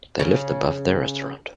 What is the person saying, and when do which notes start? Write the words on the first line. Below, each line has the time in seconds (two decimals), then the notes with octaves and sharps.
They lived above their restaurant.
0.20 C#3